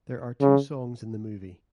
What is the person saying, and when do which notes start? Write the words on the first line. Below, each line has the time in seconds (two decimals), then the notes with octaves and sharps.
There are two songs in the movie.
0.41 C#3